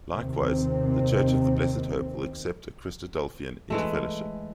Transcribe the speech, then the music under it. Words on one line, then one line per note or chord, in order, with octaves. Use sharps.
Likewise, the Church of the Blessed Hope will accept a Christadelphian into fellowship.
D#2 C3 D#3 C4
E3 G#3 A3